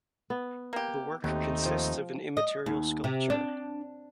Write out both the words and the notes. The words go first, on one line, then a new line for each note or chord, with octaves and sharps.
The work consists of an immaterial sculpture.
B3
A#3 G4
D#2 F#3 A3 C4 D#4 G4
F3 G5
D#5
D#2
C3
D4